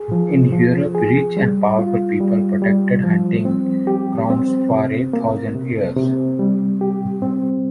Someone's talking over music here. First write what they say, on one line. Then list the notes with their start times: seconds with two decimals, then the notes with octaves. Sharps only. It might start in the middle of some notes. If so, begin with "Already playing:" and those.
In Europe, rich and powerful people protected hunting grounds for a thousand years.
Already playing: G#4
0.12 F3
0.53 F3
0.95 G#4
1.37 G3
1.79 F4
2.20 G3
2.62 G3
3.04 F3
3.45 C4
3.87 G4
4.30 C4
4.71 C3
5.13 A#3
5.56 C3
5.96 C3
6.39 G3
6.81 G4
7.22 C4